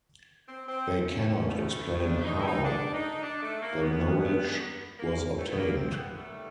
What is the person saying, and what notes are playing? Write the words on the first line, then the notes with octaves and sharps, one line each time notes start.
They cannot explain "how" the knowledge was obtained.
C4
C4
C#4
A2 F3 A3
D4
D#4
E4
D#4
D4
D#4
D4
A3
A#3
F#2 D#3 G#3 B3
A#3
A3
B3
A#3
C4
B3
D#2 D#3 G3 A3